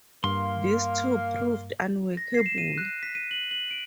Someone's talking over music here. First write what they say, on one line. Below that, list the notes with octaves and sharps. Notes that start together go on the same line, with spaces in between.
This too proved unworkable.
G2 A#3 F5 C6
A#6
C7
E7
D#7
F#6
B6
D#7
F#7
F#7
D7